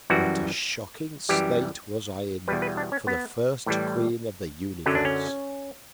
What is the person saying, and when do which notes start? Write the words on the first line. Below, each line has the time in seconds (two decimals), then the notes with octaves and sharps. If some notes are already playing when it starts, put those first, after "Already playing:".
What a shocking State was I in for the first Queen of the Universe!
0.10 F#2 E3 G3 F#4
1.29 F#2 E3 G3 G4
2.48 E2 B2 G3 B4
2.62 B4
2.77 D4
2.92 C#4
3.07 B3
3.66 A2 E3 G3
4.86 F#2 D3 F#3 C#4
4.95 D4
5.05 C#4